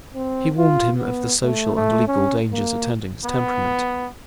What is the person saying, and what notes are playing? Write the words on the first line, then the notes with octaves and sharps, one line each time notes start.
He warned him of the social and legal dangers attending his temperament.
C4
F4
B3
A3
A3
C#4
A#3
B3